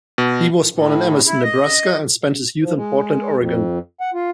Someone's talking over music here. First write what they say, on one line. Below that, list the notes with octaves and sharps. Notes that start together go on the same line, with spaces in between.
He was born in Emerson, Nebraska, and spent his youth in Portland, Oregon.
B2
A2
E4
D#5
F3
G#3
F2
F#5
F4